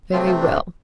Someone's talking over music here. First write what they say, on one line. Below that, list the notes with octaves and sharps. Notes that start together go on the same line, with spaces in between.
'Very well.
C3 F3 A3 C4 F4
F3 F4
D4